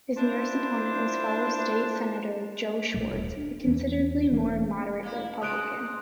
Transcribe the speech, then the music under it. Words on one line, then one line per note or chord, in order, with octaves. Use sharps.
His nearest opponent was fellow state senator Joe Schwarz, a considerably more moderate Republican.
D4 E4 F4 C5
B1 A#2 G3 A3
D#1
D4
E2 E3 C#4
E1 E3 A#3 C4
A#3 E4
C3 G#3 D#6 F#6 D7